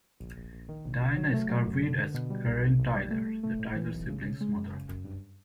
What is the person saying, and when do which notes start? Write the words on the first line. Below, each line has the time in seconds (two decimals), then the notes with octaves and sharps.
Diana Scarwid as Karen Tyler - the Tyler siblings' mother.
0.20 A#1
0.37 A#1
0.53 A#1
0.69 D#3
0.85 A#1
1.01 A#1
1.17 F#3
1.34 A3
1.49 F#3
1.65 F#2
1.82 D3
1.98 D3
2.14 B2
2.30 G3
2.46 B1
2.63 B1
2.78 B1
2.95 G3
3.11 A3
3.27 A3
3.43 A3
3.59 A2
3.76 E3
3.92 B1
4.08 C#3
4.24 C#3
4.41 G#3
4.56 F#2
4.72 C#3
4.89 F#2
5.04 G2